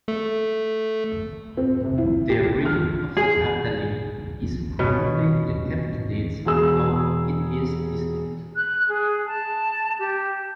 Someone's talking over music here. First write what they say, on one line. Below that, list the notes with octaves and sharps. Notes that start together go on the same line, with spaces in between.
The origin of the Abdali is probably the Hephthalites though it is disputed.
A3
C4
C3
E4
G4
F6
G#4
B2 C#4
E1 G#4 E6
F#6
G#4
A5
G4